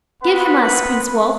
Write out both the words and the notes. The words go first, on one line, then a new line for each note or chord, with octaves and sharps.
'Give him us, Prince Wulf!
B3 C4 B4 F#5 B5